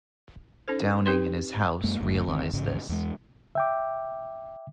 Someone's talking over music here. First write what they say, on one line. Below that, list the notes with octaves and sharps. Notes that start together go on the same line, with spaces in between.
Downing and his house realized this.
C#4 D#4 A4 C5
C4 D#4 G4 B4 G5 C6
F#2 G#3 A#3
F#1 D2 A2
G1 D#3 E3 C4
A1 G#2 C#3
E2 G#3
E5 G5 D6